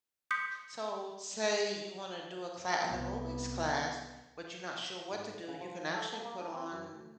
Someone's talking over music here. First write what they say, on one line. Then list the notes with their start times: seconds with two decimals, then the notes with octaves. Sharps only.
So, say you wanna do a cla an aerobics class, but you're not sure what to do, you can actually put on
0.31 C6 D#6 G6 B6 C#7
2.85 C2 B3
5.11 G#2
5.48 C#3
5.61 F3
5.94 A4
6.13 A#3
6.25 A#3
6.40 D4
6.54 C4
6.72 F#2
6.94 D2